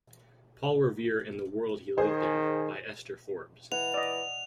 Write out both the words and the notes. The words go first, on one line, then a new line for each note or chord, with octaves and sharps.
Paul Revere And The World he Lived In, By Ester Forbes.
D#3 G#4 C5
E3 F#5 F7
D5 D#5